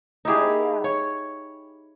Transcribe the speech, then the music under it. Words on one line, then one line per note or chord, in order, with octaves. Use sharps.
Oh, yeah.
D#4 E4 G4 G#4
C#5